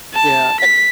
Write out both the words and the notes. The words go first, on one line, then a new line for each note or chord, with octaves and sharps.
Yeah, and
A5
B6